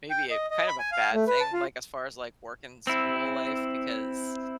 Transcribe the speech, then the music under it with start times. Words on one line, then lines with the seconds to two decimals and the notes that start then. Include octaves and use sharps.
maybe, a kind of a bad thing, like, as far as, like, work and school life, because
0.10 G5
0.31 D#5
0.50 D#5
0.68 B5
0.79 G#5
0.92 F5
1.14 A3
1.27 B4
1.41 A5
1.53 F4
2.87 C4 E4